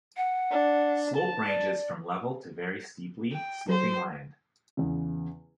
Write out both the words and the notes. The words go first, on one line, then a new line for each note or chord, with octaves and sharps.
Slope ranges from level to very steeply sloping land.
F#5
D4
A5
D5
G5
F#3 C5
E2 C#3